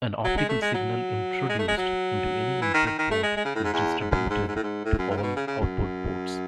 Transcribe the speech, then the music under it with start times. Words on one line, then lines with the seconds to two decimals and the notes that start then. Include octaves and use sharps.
An optical signal introduced into any input port is distributed to all output ports.
0.25 F#3
0.37 G#3
0.49 A3
0.62 G#3
0.74 F#3
1.49 G#3
1.59 A3
1.68 G#3
1.77 F#3
2.62 E3
2.74 D#3
2.86 D#3
2.99 D#3
3.11 A3
3.23 G#3
3.36 G#3
3.45 C#3
3.55 A2
3.64 G#2
3.73 E2
4.00 G#2
4.11 F#2
4.30 G#2
4.48 G#2
4.56 A2
4.63 G#2
4.85 A2
4.98 F#2
5.10 G#2
5.17 C#3
5.23 B2
5.36 C#3
5.48 C#3
5.60 F#2